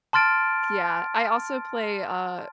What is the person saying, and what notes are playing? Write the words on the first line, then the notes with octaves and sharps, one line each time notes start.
Yeah, I also play, uh,
A5 C6 F6 A6 D7